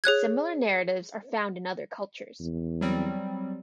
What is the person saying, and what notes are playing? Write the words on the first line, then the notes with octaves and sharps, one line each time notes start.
Similar narratives are found in other cultures.
G#4 C#5 F#6 G#6
E2
F#3 G3 C4